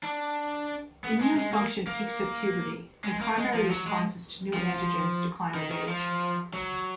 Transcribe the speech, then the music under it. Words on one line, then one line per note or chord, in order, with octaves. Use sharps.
Immune function peaks at puberty and primary responses to new antigens decline with age.
D4
B3
G#3
G#3
A#3
A#3
G#3
A#3
G#3
F3
F#3
G#3
F3
D#3
D#3
F3
F#3